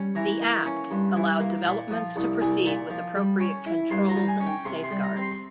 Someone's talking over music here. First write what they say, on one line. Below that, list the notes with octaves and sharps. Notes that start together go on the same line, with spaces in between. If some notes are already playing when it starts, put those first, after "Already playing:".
The Act allowed developments to proceed with appropriate controls and safeguards.
Already playing: G3 C#4
E3 A#5
A#3
C#4
G2
E3
A#3
A#2
F3
C2
C2 G#5
A#2
F3
G3
C#4
E4
G2 C6
A#5
G3
G#5
C#4
G5
C3 C6
C6
G3
A#5
C4
C6
C6